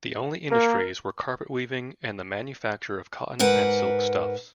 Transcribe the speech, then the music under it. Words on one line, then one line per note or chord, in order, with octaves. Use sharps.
The only industries were carpetweaving and the manufacture of cotton and silk stuffs.
A#3 A#4
G#2 A#4 B4 F#5